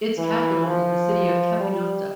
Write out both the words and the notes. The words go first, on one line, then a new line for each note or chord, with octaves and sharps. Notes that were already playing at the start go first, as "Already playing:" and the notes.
Its capital is the city of Capinota.
E3
F3
G3